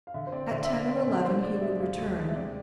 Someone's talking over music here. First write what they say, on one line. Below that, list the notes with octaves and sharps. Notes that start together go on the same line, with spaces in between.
At ten or eleven he would return.
F5
D3 E5
C5
C4 D5
D3 E5
E5
B2 D5
C4
B2
D4 C5
G#3 D5
D5
G#3 E5
D2 F5
D2
G#3
E5
C3 D5